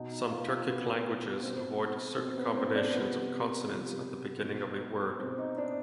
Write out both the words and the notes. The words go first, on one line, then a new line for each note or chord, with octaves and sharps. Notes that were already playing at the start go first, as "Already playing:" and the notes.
Some Turkic languages avoid certain combinations of consonants at the beginning of a word.
Already playing: B2 D#4
D#4
F4
F4
B2 B3
B2 C4
B2 C4
B3
C4
D4
C3 F3 B3
C3 F3
B2
B2 C4
D#4
D4